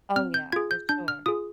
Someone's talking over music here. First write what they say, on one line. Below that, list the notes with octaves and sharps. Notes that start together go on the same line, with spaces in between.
Oh yeah, for sure.
C4 F6
G6
F4 G#4 G#6
G6
D4 G6
F6
F4 G#4 D#6